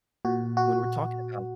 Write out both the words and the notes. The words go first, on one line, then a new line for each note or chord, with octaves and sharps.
when we're talking about
A#2 F#4
F#4